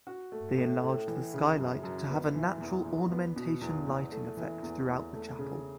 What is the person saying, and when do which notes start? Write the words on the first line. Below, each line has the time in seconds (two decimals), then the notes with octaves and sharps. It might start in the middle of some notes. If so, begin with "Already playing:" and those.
They enlarged the skylight to have a natural ornamentation lighting effect throughout the chapel.
0.07 F#4
0.32 A3
0.57 A2
0.83 A2
1.08 E3
1.34 C#3
1.58 F#2
1.84 F#2
2.09 B3
2.35 E3
2.60 E2
2.85 E2
3.11 B3
3.36 B2
3.61 E2
3.86 E2
4.12 A3
4.37 E3
4.62 E2
4.88 E2
5.14 A3
5.39 C#3